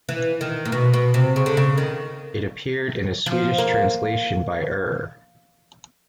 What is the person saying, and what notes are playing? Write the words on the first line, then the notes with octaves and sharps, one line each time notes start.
It appeared in a Swedish translation by Er.
E3
D#3
A#2
B2
B2
C3
C#3
D3
C#3
D#3
F3
A#3